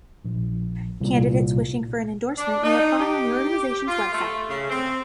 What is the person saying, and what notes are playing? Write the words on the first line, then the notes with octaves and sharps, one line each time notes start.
Candidates wishing for an endorsement may apply on the organization's website.
A#1
C2 A#2
D4
D#4
G4
F4
A3
C#3
C4